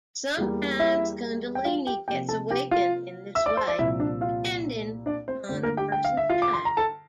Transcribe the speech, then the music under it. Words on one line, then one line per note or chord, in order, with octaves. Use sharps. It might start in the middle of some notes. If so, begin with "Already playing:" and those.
Sometimes kundalini gets awakened in this way, depending upon a person's type.
E2 E3 G3 A#3
E4 E5
G5
F4 F5
G4 G5
C3 F3 A#3 G4 G5
A4 A5
G4 G5
F4 F5
E5 E6
D5 D6
C5 C6
D5 D6
C2 A#2 F3 E4 E5
D4 D5
F4 F5
D4 D5
C4 C5
G2 D3 A3 C4 C5
A#3 A#4
G4 G5
G5
F5
E5
F4 F5
D6
C6
A#5
A4 A5